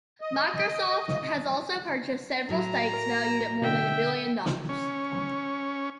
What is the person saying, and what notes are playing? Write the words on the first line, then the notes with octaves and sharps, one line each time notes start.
Microsoft has also purchased several stakes valued at more than a billion dollars.
D#5
A2 F#3 A#5
A#4
B2 D3 E5 G5
C#4